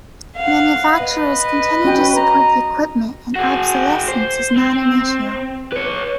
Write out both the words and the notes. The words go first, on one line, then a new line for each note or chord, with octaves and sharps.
Manufacturers continue to support the equipment and obsolescence is not an issue.
F5 F#5
B4 D#5
C#4 F#4 G5
A#5
F#4 G#4
C5
C4
B4 C#5